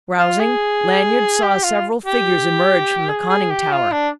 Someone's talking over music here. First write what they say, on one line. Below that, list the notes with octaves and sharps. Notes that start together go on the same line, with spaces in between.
Rousing, Lanyard saw several figures emerge from the conning tower.
F4
G#4
G4
F4
G4
G#4
G#4
G4
F4
D4